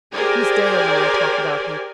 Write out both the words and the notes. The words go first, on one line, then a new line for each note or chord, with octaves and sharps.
Miss Dale and I talk about him.
G4 G#4 A#4 C5 D5 G#5